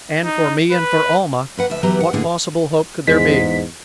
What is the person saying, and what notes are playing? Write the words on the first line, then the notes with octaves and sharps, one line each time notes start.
And for me and for Almah, what possible hope could there be?
D#4
B4
A#3 B4 F#5
D2 F3 E5
E3 F#3 B3 G4 F#5 A#5
F#5
A2 D3 A#3 G#4 F#5
E2 G#2 G#3 B6